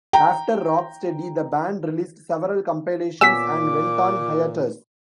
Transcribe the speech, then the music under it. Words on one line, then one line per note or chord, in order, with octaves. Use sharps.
After "Rock Steady", the band released several compilations and went on hiatus.
G5 A#5
A#2 B3 C#4 G#5 D6 E6 B6